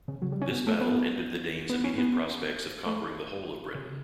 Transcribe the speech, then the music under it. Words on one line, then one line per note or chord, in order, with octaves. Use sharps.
This battle ended the Danes immediate prospects of conquering the whole of Britain.
C#3
F#3
G3
C#4
B3
A3
B3
B3
C#4
B3
A3
C#3